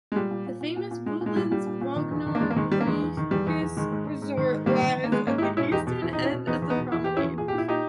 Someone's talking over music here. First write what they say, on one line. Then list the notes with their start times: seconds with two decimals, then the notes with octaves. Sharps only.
The famous Butlins Bognor Regis resort lies at the eastern end of the promenade.
0.12 G#3
0.16 A#2 G3
0.31 A#2
0.46 A#2
0.61 A#2
0.76 A#2
0.91 A#2
1.06 A#2 G#3
1.21 A#2
1.26 G#3
1.36 A#2 G3
1.51 A#2 G3
1.67 A#2
1.81 A#2
1.96 D#3
2.11 E2
2.26 D#3
2.35 A#3
2.41 E2 G#3
2.51 A#3
2.56 D#3 G#3
2.71 D#3 G3
2.81 A#3
2.86 E2 G#3
3.02 E2
3.17 D#3
3.31 E2 G3
3.47 E2
3.62 E2
3.77 D#3 G#3
3.92 G#2
4.07 G#2
4.22 G#2
4.37 D#3
4.51 G#2
4.66 D#3 G3 A#3
4.82 D#3
4.97 D#3
5.04 A#3
5.12 D#3 G#3 B3
5.27 G#2 A#3 C#4
5.38 E4
5.41 G#2 D#4 G4
5.57 B2 C#4 E4
5.72 E2 D#4 G4
5.87 B2
6.02 E2 E4
6.13 B2 D#4
6.23 C#4 E4
6.32 B2
6.47 E2 B3 D#4
6.62 E2
6.70 B3 D#4
6.78 B2
6.92 E2 E4
7.04 E2 G4
7.16 C#4 E4
7.22 E2
7.38 A#2 G#4
7.48 A#2 G4
7.58 E4
7.68 A#2 D#4 G4